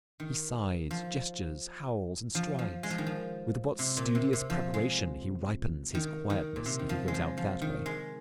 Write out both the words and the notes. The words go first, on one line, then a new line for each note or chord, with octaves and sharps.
He sighs, gestures, howls, and strides. With what studious preparation he ripens his quietness, if he goes out that way.
D#3
F3
F3
F3
G#3
F3
D#3
F3
C3
A#2
C3
C3
F3
G#3
D#3
D#3
A#2
C3
D#3
F3
G#3
F3
F3
D#3
G#3